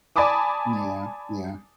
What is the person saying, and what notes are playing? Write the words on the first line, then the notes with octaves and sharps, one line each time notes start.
Yeah, yeah.
D5 G#5 A5 B5 D6 D#6